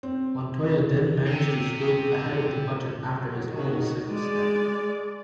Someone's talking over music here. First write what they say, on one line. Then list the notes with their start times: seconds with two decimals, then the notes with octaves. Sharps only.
Montoya then managed to stay ahead of Button after his own second stop.
0.03 C4
1.26 C3
3.10 F#3
3.44 D#3 F#4
4.07 G#3 D5